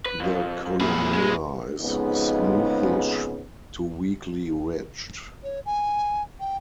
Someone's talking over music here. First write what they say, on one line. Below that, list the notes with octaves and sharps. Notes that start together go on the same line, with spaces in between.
The columella is smoothish to weakly ridged.
B4
F2
C2 F#2 A#2 G#4 B4
G#3
F2 G#2 C#3 G#3 B3 D#4
C#5
G#5
G5